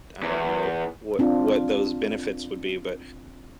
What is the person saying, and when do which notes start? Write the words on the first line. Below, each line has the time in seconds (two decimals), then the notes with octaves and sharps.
I don't know what what those benefits would be, but
0.23 E2
1.19 C4 D4 F4